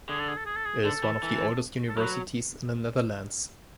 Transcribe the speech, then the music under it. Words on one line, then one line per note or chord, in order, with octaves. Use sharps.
It is one of the oldest universities in the Netherlands.
D3 G#4
A4
G#4
A4
G#4
A4
G#4
D3 A4
E3
E3
A4
F#3 B4